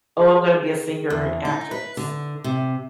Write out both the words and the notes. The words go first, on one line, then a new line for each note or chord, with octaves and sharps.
"Oh, I'm gonna be a singer and an actress,"
G#4
E2
D#4
B4
D3
C3